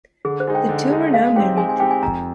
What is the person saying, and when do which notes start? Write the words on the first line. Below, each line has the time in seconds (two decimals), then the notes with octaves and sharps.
The two are now married.
0.25 D3 G#4
0.40 C5
0.47 G#3 D#4
0.55 G5
0.69 D3
0.91 G#3 D#4
1.13 G#3 F5
1.36 C4 D#4 G4 G5
1.57 G#3 G#5
1.69 G#5
1.80 C4 D#4 G4 G5
1.91 G#5
2.03 F2 A#5